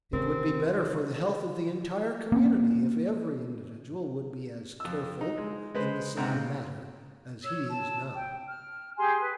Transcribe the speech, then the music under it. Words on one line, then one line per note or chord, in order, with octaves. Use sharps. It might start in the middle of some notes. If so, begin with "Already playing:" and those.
It would be better for the health of the entire community if every individual would be as careful in the same matter as he is now.
C3 D#3 C4 C#4 A#4
A#3 C4 C#4
F2 E6
D#4
G#3
G#3 B4 C5
G#2 C3 C4 C5 F#5 A#5
C#3
C#5 E6
A5
G5
F6
G4 G#4 G#5 C6
B4